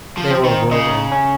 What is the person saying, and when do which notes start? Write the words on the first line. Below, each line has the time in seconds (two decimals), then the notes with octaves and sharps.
They were a whirlwind.
0.18 F3
0.31 C4
0.44 D#3
0.71 C#3 D#4
1.11 C#4